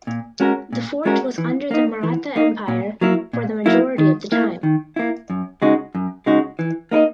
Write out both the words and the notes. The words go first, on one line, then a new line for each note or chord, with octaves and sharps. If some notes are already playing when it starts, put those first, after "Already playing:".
The fort was under the Maratha empire for the majority of the time.
A#2
G#3 C#4 F#4 A#4
A#2
G#3 C#4 F#4 A#4
E3
A#3 D#4
E3
A#3 D#4
A#2
F#3 A#3 E4
A#2
F#3 A#3 E4
D#3
A#3 E4
D#3
A#3 E4
F#2
C#3 G#3 D#4 F#4
F#2
C#3 G#3 D#4 F#4
E3
A#3 D#4 A#4 D#5